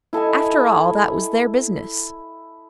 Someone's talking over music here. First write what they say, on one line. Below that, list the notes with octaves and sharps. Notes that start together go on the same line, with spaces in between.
After all, that was their business.
E4 A4 D#5 G#5